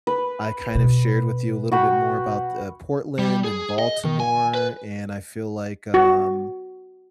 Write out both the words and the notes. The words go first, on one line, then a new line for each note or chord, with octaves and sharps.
I kind of shared with you a little bit more about th uh, Portland and Baltimore, and I feel like, um,
B4
B2
F#4 G5 B5
G3
G#4
D#5
D#3
G#5
B4
F#4